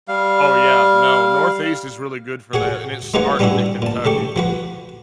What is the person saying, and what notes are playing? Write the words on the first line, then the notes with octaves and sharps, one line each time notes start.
Oh, yeah. No, Northeast is really good for that, and it starts at Kentucky.
G3 F5
F#4 G#4 C#5 F#5
G#3 A#3 D#4 F#4 B4 C#5
G3 B3 C#4 D4 E4 F#4
A#2 A5
C#3 A3 G4 C#6
F3 F#4 B4